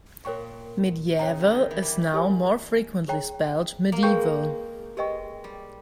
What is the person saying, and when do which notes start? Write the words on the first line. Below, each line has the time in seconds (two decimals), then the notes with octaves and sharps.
Mediaeval is now more frequently spelled medieval.
0.25 A#2 A#4 C#5 G5 C#6
1.19 C#3 C#5 G5 A#5
1.40 E3
1.51 D#3
1.71 E3
1.82 G3
2.14 G4 A#4 C#5 G#5
3.08 G#4 C#5 G5 A#5
3.92 A#3
4.03 G#3 G#4 B4 G5 C#6 G6
4.97 G#3 G4 B4 D#5 G5 C#6
5.44 G3